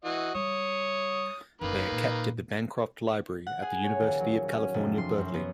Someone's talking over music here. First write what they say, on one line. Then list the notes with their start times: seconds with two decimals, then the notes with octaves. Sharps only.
They are kept at the Bancroft Library at the University of California, Berkeley.
0.05 E3 F#4 D#5
0.35 G3 C#5 D#6
1.61 F#1 D2 D#3 A#3 B4
1.92 A#2
3.47 F#5
3.62 G#4
3.84 C#5
4.00 D#1
4.20 F#3
4.48 C#4
4.74 F1
4.98 C6
5.18 F#2
5.34 B3